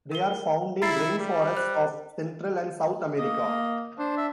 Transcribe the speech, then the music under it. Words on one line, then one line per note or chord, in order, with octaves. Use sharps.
They are found in rainforests of Central and South America.
A#4 G7
E4 A#5 A6 C7
G3
C5 F#6
A#3 D#5
A#3
D4 C5
E5